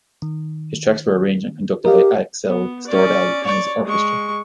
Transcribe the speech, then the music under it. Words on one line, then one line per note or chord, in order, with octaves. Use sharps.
The tracks were arranged and conducted by Axel Stordahl and his orchestra.
D#3
G4 A#4 D#5 F5
B3
C#4 D5
C#5 D5
G#3 C#6